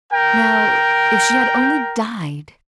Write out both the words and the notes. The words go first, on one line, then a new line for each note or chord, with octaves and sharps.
Now--if she had only died!
A#4 G5